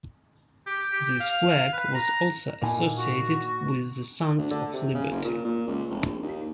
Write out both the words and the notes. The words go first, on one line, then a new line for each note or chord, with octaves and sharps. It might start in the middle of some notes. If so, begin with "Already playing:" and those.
This flag was also associated with the Sons of Liberty.
G4
G4
F5
B4
A#5
A#2 D#4 G#5
F#4
D2
D3
C3
C#3
F#1
A#2
A#2
C#2
F1
A#1
D#2